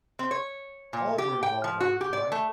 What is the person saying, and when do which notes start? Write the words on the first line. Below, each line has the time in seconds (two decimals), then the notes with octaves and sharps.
"All were involved," I replied.
0.19 C4
0.31 C#5
0.93 A#2
1.18 G4
1.43 G5
1.64 F3
1.80 F#4
2.01 G4
2.13 D5
2.32 A3